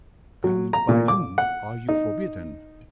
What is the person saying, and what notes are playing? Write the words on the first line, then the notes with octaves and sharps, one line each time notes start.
"And by whom are you forbidden?"
F#3
A#5
A#2
D6
F#5
D#4